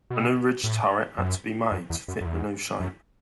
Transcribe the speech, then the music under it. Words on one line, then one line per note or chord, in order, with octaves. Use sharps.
A new ridge turret had to be made, to fit the new shape.
B2
A2
F#2
F#2
E2
F#2
F#2
E2
F#2